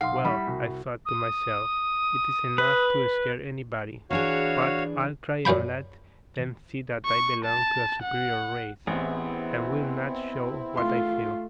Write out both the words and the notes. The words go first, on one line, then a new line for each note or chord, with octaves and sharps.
"Well," I thought to myself, "it is enough to scare anybody; but I'll try and let them see that I belong to a superior race, and will not show what I feel."
B1 F5 F#5 C6
G3 E4 B5
C2 F#4
D#6
B4
E3 D4 F#4 G#4 C#5 F5
F#2 A#2 F5 G5 B5
C#6
A5
F#5
A1 B3 C4 E4 G#4
A3 F4 C6